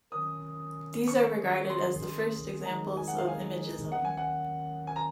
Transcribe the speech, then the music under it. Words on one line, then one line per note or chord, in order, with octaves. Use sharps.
These are regarded as the first examples of Imagism.
D#3 F#3 C#4 D#6
C#6
D#3 F#3 C#4 G#4
C6
D#3 G#3 D#4 G#4 A#5
G#5
F#5
F5
G#5
D#2 D#3 F#3 C#4 F#5
G#5
F#5
G#5
A#5